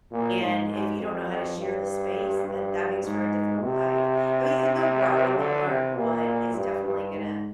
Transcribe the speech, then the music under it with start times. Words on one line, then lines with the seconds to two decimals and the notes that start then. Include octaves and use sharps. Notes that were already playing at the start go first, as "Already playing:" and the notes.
And if you don't know how to share the space, that that makes for a difficult life. I mean and they'll grow and they'll learn, but it's definitely gonna
0.11 A#2
0.41 G#2
0.70 G#2
0.99 F2
1.29 F2
1.57 G2
2.45 G2
3.04 G#2
3.62 C3
5.38 D3
5.67 C3
5.96 A#2
6.55 G2
6.84 G2
7.13 G#2